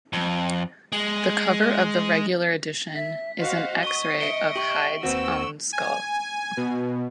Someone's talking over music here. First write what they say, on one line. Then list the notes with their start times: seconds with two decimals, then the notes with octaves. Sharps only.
The cover of the regular edition is an X-Ray of Hyde's own skull.
0.13 F2
0.92 G#3
2.96 E5 B6
3.38 F#4 C5 D#5 F5
3.83 C#6 D#6 G7
4.20 D#5 E5 C#7 D7 G7
4.56 G4 C#6 F#7
5.03 D#2 C4 F#4 B4 E6
5.73 G#5
6.57 B2